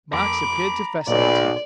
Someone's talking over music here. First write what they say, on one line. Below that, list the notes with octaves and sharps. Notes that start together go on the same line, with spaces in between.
Mike's appeared to fascinate him.
F2 A#5 B5 D6
B1 A#2 D5